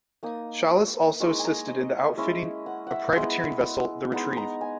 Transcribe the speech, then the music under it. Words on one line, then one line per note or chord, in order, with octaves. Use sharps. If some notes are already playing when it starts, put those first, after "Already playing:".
Shallus also assisted in the outfitting a privateering vessel, the "Retrieve".
A#3 D#4 D#6
G#3 D#4 C#6
G#5
A#5
D#5
G#3 C#4 E4 D#5
F#5
E5 F#5
G#3 B3 E4 D#5
G#3 B3 D#4 F#5
A#5
G#5